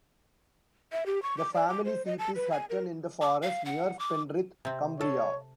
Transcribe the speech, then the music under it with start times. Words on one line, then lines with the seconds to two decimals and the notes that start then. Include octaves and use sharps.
The family seat is Hutton in the Forest, near Penrith, Cumbria.
0.93 E5
1.06 G4
1.23 C#6
1.38 D6
1.54 D5
1.68 D6
1.85 C5
2.06 D#5
2.19 A5
2.36 B4
2.52 G#5
2.70 A#4
3.22 D6
3.42 F5
3.66 F#5
3.99 D6
4.65 C3 C4
5.01 A4 C#5